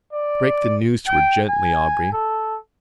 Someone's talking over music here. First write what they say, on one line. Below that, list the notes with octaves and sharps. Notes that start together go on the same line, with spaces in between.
Break the news to her gently, Aubrey!
D5
G5
G#5
A4